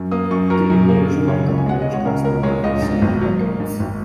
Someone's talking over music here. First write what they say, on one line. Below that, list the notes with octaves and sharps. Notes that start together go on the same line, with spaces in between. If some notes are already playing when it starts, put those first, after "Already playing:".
The erosion of the coast has noted for several decades.
Already playing: F#2
A#3 D#6
F#2 C#6
F#3 A#4
F#2
A#3
F#2
C#3 C#5
C#2
G#5
G#3 F#5
C#2 D#5
C#5
C#3 A#4
C#2 A#4
G#3 C#5
C#2 D#5
G#2
G#1
F#3
A#3
G#2
G#1